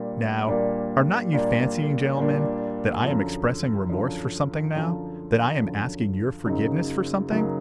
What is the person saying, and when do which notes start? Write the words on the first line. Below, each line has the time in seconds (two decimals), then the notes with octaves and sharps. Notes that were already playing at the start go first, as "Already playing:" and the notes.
Now, are not you fancying, gentlemen, that I am expressing remorse for something now, that I am asking your forgiveness for something?
Already playing: A#2 G3 A#3 D4
0.47 A#2 G3 A#3 D4
1.33 A#2 G3 A#3 D4
2.18 A#2 G3 A#3 D4
3.04 F#2 D3 F3
3.89 F#2 D3 F3
4.75 F#2 D3 F3
5.60 F#2 D3 F3
6.46 F#2 C#3 F#3 A#3 D#4
7.31 F#2 C#3 F#3 A#3 D#4